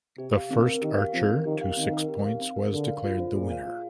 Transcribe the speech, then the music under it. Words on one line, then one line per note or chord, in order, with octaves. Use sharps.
The first archer to six points was declared the winner.
C3 G4
F5
D3 C4
A#4
D#3 G4
F5
F3 C4
A#4
D#3 G4
F5
D#3 C4
A#4
G4
F5
C4
A#4
D3 G#4
F5
F4
C5
A#2 G#4
F5
F4